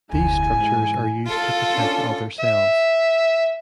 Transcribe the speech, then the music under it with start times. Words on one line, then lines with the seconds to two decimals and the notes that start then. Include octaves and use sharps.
These structures are used to protect other cells.
0.12 F1 D2 E4 G#5
0.54 G#2 E3
1.27 E4 F4 A4 F5
1.71 C#4 D4
2.40 E5